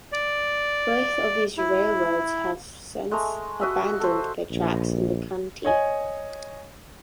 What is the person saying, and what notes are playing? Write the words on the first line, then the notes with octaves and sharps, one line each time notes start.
Both of these railroads have since abandoned their tracks in the county.
D5
E4
G#3 A3 A#5
F#4 D#5 E5
A4 C5
A#1
C#5 D#5 G#5